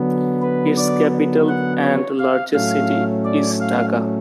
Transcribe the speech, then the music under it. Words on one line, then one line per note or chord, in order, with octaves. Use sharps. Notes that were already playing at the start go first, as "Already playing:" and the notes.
Its capital and largest city is Dhaka.
Already playing: D3 F#3 B3
B4
D5
F#5
C#5
F5
A2 F#3 A3 C#4 F5
D5
F5